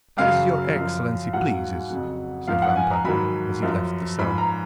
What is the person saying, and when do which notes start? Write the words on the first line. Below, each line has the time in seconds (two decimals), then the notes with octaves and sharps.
"As your excellency pleases," said Vampa, as he left the cell.
0.18 F#2 C#3 F#3 F5
0.76 F#2 F3
1.33 G#2 F#3 F#5
1.90 F2 C#3 F#3
2.47 G#2 F3 F5
2.62 F#5
2.76 G#5
2.91 A#5
3.04 G#2 D#3 F#3 B5
3.62 F#2 F3
4.19 G#2 F3 B5
4.38 A#5